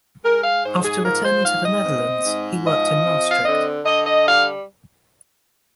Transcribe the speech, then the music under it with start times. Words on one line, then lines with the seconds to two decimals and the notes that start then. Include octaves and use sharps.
After returning to the Netherlands, he worked in Maastricht.
0.24 G#3 A#4
0.43 F5
0.64 G#2 C5
0.84 G#4
1.04 F3 A#4
1.24 C5
1.44 G#2 F5
1.65 D#5
1.84 C4
2.25 G#2
2.64 F3 D#5
3.05 C4
3.31 F5
3.45 D3 D#5
3.85 D3 D#5
4.05 D#5
4.26 G3 F5